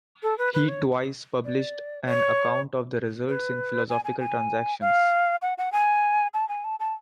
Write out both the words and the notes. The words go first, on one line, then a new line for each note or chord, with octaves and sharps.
He twice published an account of the results in Philosophical Transactions.
A4
B4
B4
C#5
D5
C#5
B4
G#5
G#5
G#5
F5
F#5
F#5
G#5
A5
G#5
A5
A5